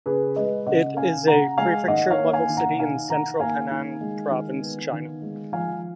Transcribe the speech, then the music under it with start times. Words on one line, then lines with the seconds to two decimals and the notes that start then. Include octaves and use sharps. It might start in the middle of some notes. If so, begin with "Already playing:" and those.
It is a prefecture-level city in central Henan province, China.
0.06 C#3 G#4 B4
0.36 G#3 B4 D#5
0.66 C#3 D#5 F#5
0.97 C#4 F5 G#5
1.27 C#3 F#5 A#5
1.58 G#3 F5 G#5
1.88 D#3 D#5 F#5
2.11 C#5 F5
2.18 A#3
2.33 F5 G#5
2.49 D#3
2.57 F#5 A#5
2.79 D#4 F5 G#5
3.09 D#3 F#5 A#5
3.39 A#3 F5 G#5
3.70 D#3
4.01 G#3
4.30 D#3
4.62 B3
4.92 D#3
5.22 G#3
5.52 F3 F5 G#5